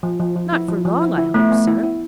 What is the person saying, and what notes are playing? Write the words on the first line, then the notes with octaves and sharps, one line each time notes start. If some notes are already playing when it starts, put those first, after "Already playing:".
"Not for long, I hope, sir."
F3
F3
F3
E4
F3
F3
E4
E4
A3 B3
B3
E4
E4